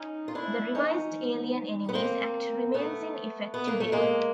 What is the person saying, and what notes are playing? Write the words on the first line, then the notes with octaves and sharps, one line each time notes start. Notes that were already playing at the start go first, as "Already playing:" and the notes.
The revised Alien Enemies Act remains in effect today.
Already playing: C#4 D#4
F4
D4 E4
C#4 D#4
B3
A#3 C4
A3 B3
B3
A#3
A3
G#3 A#3